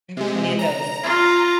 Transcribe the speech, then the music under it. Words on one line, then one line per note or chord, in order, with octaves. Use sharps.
I have plenty of those.
C3 G#3
A#5
F4